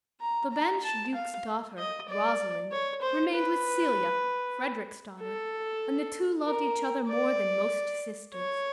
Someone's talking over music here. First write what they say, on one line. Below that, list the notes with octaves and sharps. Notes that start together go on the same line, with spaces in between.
The banished Duke's daughter, Rosalind, remained with Celia, Frederick's daughter, and the two loved each other more than most sisters.
A#5
A#5
A5
F5
D#5
D5
C#5
C5
B4
A4
A#4
D5
C#5